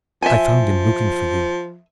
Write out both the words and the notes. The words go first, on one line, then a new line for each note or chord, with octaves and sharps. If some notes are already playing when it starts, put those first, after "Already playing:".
I found him looking for you.
F3 E5 G#5